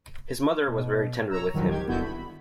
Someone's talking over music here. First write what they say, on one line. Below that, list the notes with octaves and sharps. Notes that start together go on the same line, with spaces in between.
His mother was very tender with him.
B2
C#5 A#5 E6
E2 B2 D3 D#3 F3 F#3
G#1 D#3 G4 G#6
G1 D3 B3 E4 F#4 G6
B5